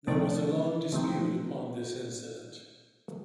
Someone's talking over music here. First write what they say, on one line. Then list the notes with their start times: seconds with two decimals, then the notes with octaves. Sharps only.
There was a long dispute upon this incident.
0.07 C3 F3 A3 C4 D#4 D5
0.92 C3 F3 A3 C4 D#4